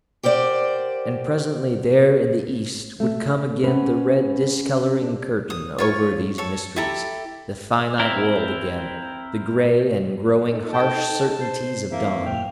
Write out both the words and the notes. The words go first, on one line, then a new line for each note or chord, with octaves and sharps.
And presently, there in the east, would come again the red discoloring curtain over these mysteries, the finite world again, the gray and growing harsh certainties of dawn.
G4 A#4 C5 D5 F#5
A3
B3 C#4 B4
D4
D#6
F4 C#5 C#6
A4 C#5
E4 G4 A4 A#5
C4 E4 A#4
D#4 A4
G5 A5
C5
E3 A#3 C4 E5
F#2 A#2 G5 F6